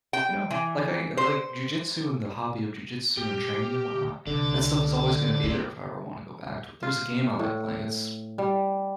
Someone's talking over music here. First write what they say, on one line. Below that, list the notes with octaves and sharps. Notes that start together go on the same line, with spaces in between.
you know, like I uh, like, jujitsu, and the hobby of jujitsu, and training and whatnot, that stuff is always gonna be there if I ever wanna go back to it There's a game I like playing, it's
G5
E3
C5
A#2 G4
C2 D3 A4 D5
A#3 E4 G4
F4
A2
G3